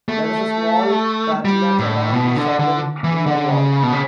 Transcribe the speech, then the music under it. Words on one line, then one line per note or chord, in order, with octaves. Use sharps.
There is a small craterlet along the southern inner wall.
A3
G3
A2
B2
D3
D3
E3
D3
C#3
B2
C#3